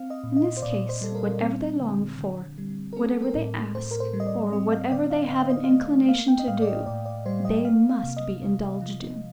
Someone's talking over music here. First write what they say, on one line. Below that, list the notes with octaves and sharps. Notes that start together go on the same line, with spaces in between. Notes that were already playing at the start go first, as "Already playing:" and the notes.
In this case, whatever they long for, whatever they ask, or whatever they have an inclination to do, they must be indulged in.
Already playing: C4 F5
D#5
A#2
D#5
C5
A#2 D5
C5
G3 A4
A#4
C4
D3
D3
G3
A#4
C4 A4
A#4
A2
A2 C5
A#4
C5
G3
D#5
D5
C4 D#5
F5
D3 D5
F5
D3 F5
D#5
F5
A3 D#5
A#3 F5
G5
D#5
A2 F5
D5
D#5
A2 D5
D5
G3 C5
D#5
A#3 F5
F5
C3
D#5
C3
F3